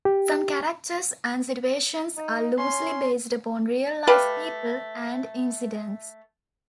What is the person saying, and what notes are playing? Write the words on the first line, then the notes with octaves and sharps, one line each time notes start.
Some characters and situations are loosely based upon real-life people and incidents.
G4
D#4
C#4 C6
A3 G4 B4 F5